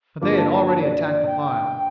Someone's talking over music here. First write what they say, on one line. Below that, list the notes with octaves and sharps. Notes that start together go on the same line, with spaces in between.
But they had already attacked the pile.
G2 D3 F3 A#3 D4 D6
A5
A5
A5
D5
D5
D5
G5
G5